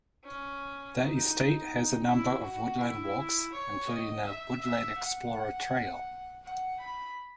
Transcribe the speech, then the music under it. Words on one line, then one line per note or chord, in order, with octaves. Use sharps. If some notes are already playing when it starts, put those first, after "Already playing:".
The estate has a number of woodland walks, including a 'Woodland Explorer' trail.
C#4
D#4
E4
F#4
E4
C#5
D#5
E5
E5
F#5
F#5
B5